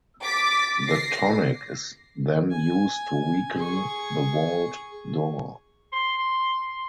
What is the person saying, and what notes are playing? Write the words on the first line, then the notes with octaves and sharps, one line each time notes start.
The tonic is then used to weaken the vault door.
D6 A6 B6
A#6 C7
G#5
G#4 C#6
C6